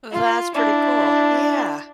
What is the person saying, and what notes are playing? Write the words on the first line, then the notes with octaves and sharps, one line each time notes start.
That's pretty cool, yeah.
F4
D4 E4